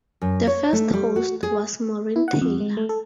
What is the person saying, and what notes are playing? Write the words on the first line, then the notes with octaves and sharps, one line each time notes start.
The first host was Maureen Taylor.
F#2
C#5
A3
G3
F#4
G#4
E4
F#5
F2
G#3
A3
A4